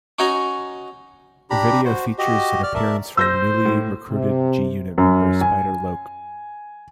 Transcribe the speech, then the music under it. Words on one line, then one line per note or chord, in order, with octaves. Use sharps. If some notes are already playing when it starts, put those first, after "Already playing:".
The video features an appearance from newly recruited G-Unit member Spider Loc.
C#4 D#4 F#4 D#5 G#5 A#5
D4 G4 A#5 B5
F#4 C5
F#4 G4 D#5
D5 F6
A#4 D5 E5 A5
C5 E6 G6 A#6
A2
C3
F#2
G#5